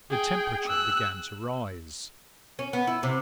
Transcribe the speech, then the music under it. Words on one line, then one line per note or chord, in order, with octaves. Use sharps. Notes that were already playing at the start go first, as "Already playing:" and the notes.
The temperature began to rise.
G#4 G5
E6 F#6
C#4
B3
E4
C3